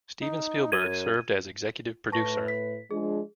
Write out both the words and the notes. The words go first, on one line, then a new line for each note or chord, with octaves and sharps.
Steven Spielberg served as executive producer.
D#4
F#2 G#6 D#7
A2 E4 B4 A5 C#6 A#6
B6
F3 G#3 D4 G#4